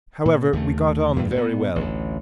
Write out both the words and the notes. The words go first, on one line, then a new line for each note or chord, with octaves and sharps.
However, we got on very well.
A#2
D#2 C#3 A3
E2 G2
A#2 B3
A1 D2